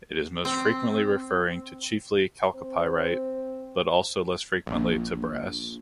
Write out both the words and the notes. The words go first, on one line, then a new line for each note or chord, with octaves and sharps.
It is most frequently referring to chiefly chalcopyrite, but also less frequently to brass.
C4
C4
A#1